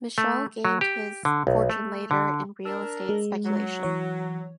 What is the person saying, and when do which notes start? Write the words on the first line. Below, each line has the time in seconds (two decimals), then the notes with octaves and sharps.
Michel gained his fortune later in real estate speculation.
0.18 A3
0.65 F#3
0.81 G4
1.25 D3
1.47 B1
1.70 A3
2.11 D3
2.65 D4 A#4 E6
3.09 G#3
3.45 F#3
3.83 E3 C#5